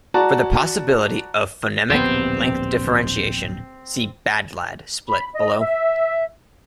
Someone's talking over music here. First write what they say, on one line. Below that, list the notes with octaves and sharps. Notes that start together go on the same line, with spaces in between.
For the possibility of phonemic length differentiation, see "bad-lad" split, below.
F#4 D5 A5 A#5
D1 A#1 B3 C4 G4
B5
D#5
E5